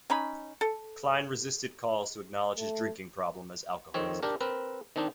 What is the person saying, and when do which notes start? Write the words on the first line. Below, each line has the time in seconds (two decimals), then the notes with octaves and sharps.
Klein resisted calls to acknowledge his drinking problem as alcoholism.
0.10 C#4 D#4 B5
0.61 A4
2.57 A3
3.94 F2 D#3 C4 C#5
4.23 D4 G4 A#4
4.41 C4 A#4 B4
4.96 D#3 C4 D4 D#4